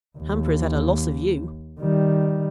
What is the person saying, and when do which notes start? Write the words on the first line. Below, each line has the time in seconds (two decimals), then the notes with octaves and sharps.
Hamper has had a loss of you.
0.18 D#2
1.80 D#3 G3